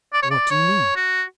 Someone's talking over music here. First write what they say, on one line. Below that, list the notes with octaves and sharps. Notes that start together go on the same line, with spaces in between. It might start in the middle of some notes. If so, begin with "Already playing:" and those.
"What do you mean?"
D5
C#5
D5
C#5
F#4